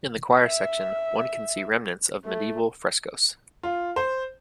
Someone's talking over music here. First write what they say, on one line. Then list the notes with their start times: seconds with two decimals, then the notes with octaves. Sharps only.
In the choir section, one can see remnants of medieval frescoes.
0.45 E5
2.25 A3
3.63 F4
3.96 C5